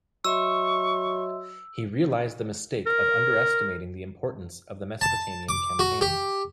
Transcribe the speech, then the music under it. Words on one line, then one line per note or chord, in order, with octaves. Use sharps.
He realized the mistake of underestimating the importance of the Mesopotamian campaign.
F#3 D#5 E5 C6 C#6 E6
A#4
A5
D6
F#4
G4